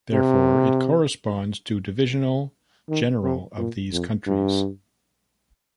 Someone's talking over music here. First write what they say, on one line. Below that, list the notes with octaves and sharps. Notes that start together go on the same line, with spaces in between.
Therefore, it corresponds to divisional general of these countries.
C3
D#3
C3
A#2
F2
G2